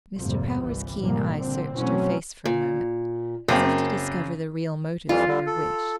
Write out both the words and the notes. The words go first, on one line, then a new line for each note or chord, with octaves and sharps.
Mr. Power's keen eye searched her face for a moment, as if to discover the real motive for her wish.
G#1 F2 C3 G3 A#3
G1 C2 E3 G3
C2 G2 A#2 D3 A#3
A#2 D3 C4
B2 E3 F#3 A3 C4 C#4
A#2
F#2 C#3 A#3 C4
F2 E3 G3 F4
D3 G3
A4